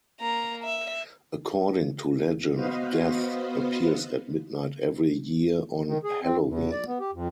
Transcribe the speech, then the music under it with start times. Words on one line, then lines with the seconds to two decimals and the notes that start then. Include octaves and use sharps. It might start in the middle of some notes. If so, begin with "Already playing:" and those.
According to legend, "Death" appears at midnight every year on Halloween.
0.20 A#3 A#5
0.64 E5
2.54 B3 F#4 B4 C5 D#5 F5
5.86 D#3
6.04 G#4
6.23 C4
6.46 E2
6.72 D5
6.87 B3
7.00 G4
7.13 F2